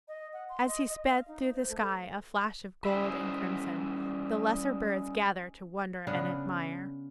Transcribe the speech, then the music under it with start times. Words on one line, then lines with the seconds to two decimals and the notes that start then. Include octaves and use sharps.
As he sped, through the sky, a flash of gold and crimson, the lesser birds gathered to wonder and admire.
0.08 D#5
0.33 F#5
0.49 C6
0.67 D#5
0.87 D#5
1.07 F5
1.28 D#4
1.44 C5
1.69 A3
2.85 G3 C#4 D#4 E4 C5 E5
6.07 C#3 B3 D4